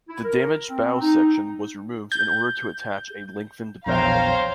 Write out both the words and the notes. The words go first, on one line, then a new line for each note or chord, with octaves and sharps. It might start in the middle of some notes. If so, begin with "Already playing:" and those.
The damaged bow section was removed in order to attach a lengthened bow.
E4
A#4
C4
D#4
G6
A#1 E2 C5 C#5 F5 G5 A#5